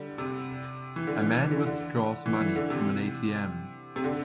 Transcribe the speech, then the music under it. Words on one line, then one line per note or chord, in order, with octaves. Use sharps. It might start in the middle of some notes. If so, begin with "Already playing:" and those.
A man withdraws money from an ATM.
Already playing: D3 G3
C3
E3
D3
E3
E3
D3
D3
E3
E3
D3
C3
C3
D3